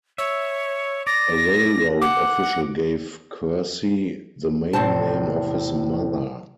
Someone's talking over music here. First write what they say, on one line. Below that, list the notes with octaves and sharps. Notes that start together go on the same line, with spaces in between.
A railroad official gave Kersey the maiden name of his mother.
C#5 E5
D5 A#6
F#5 D6
E2 A2 C3 C5 A5